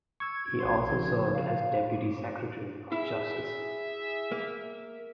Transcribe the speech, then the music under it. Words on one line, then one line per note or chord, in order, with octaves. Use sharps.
He also served as Deputy Secretary of Justice.
C#6 E6 G#6
A#1 F#4 C6
C#3 F3
F5
E4 G#4 E5
A#3